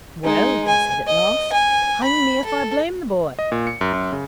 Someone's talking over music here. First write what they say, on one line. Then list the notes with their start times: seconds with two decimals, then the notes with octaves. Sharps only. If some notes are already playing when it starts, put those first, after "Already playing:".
'Well,' he said at last, 'hang me if I blame the boy.
0.24 G#3 D#4
0.68 G#5
1.07 D#5
1.53 G#5
2.04 B5
2.45 A4
3.39 D#5
3.52 A#2
3.67 C#7
3.81 F#2
3.93 F#2
4.12 C#3